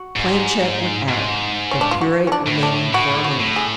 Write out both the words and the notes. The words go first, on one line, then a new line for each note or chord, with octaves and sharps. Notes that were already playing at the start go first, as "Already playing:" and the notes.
Planchet went out, the curate remaining for a moment.
Already playing: F#4
G#2
G#2
C#4
D4
F4
F#4
C#4
D4
A2
D4
A2 F#4
F#4
A2
G#4